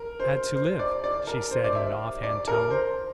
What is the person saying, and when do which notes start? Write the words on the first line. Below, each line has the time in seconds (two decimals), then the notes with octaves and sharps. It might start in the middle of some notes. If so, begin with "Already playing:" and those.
"I had to live," she said in an off-hand tone.
Already playing: A#4
0.20 C5
0.55 C5
0.79 D5
1.04 D5
1.27 A#4
1.51 C5
1.64 D5
1.75 E5
2.23 D5
2.48 A#4
2.71 C5